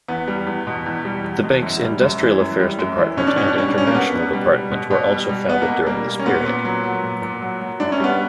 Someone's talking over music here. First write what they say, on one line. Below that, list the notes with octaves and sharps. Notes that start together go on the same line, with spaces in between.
The bank's industrial affairs department and international department were also founded during this period.
E2 B3
G3
E2
B2
E2
G3
E2
B2
F#2
G3
F#2
E3
F#2
G3
F#2
E3
B2 C#4
D4
B2 C#4
D4
G3 C#4
D4
G3 C#4
A#3
B2 B3
B2
G3
G3
B2
B2
G3
G3
B2 B3
A#3
B2
G3 A#3
G3
C#4
A#2 B3
A#2
F#3
F#3
A#2
A#2
F#3
F#3
F#2 D4
C#4
G3 B3